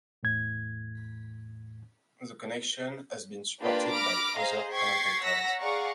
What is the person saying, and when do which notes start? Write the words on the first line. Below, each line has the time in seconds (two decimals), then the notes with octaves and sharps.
The connection has been supported by some other commentators.
0.23 E2 A2 G#6
3.62 A#3 D4 F4 G4 B4 B5
3.91 B5 D6 F6 A#6
4.36 G#4 C5 D#5 F5 A#5
4.73 G5 C#6 G#6 A6 B6 C7
5.21 C#5 F#5 A#5 E6 A#6 B6
5.61 G#4 D5 F5 F#5 A#5 C#6